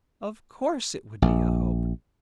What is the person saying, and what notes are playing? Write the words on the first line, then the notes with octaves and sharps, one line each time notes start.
"Of course it would be a hope."
A#1